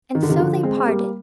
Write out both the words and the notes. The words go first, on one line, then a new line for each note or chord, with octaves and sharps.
And so they parted.
D#3
D3
C3 D#3
D3 F3
G#3 C4
G#3
G3 A#3